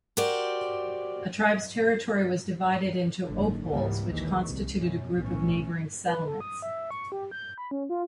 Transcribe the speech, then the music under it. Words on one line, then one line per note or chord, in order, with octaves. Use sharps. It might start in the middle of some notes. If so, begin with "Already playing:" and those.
A tribe's territory was divided into "opoles", which constituted a group of neighboring settlements.
F#4 G4 A#4 C5 D5
F#1 G#2 D3
C#2 G#2 E3 G3 A#3 B3
A#1 D#2 G#2 D#3 E3 G#3
C2
F#2 B2
B1 A2 E3 C#4
B4
A4
D#6
E5
C#6
G4
G6
B5
C#4
F4